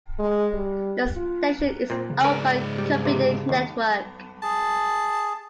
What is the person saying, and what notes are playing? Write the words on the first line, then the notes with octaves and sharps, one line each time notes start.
The station is owned by Covenant Network.
G#3
G3
F4
A#2 C4
C#3
G#2 A#4 B4 D5
G3
C3 E3
D#2
G#4 A5